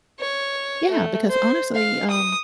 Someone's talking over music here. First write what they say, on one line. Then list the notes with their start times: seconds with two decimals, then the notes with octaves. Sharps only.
Yeah, because, honestly, um,
0.20 C#5
0.91 A3
1.30 C5
1.74 F5
2.10 D#6